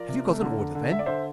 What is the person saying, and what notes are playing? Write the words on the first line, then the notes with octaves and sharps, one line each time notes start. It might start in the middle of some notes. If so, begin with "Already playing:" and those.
"Have you got an order, then?"
Already playing: F3 A#4 D5
C3
A3
D3
D3
D3
D3 E5
D5
D3 C5 E5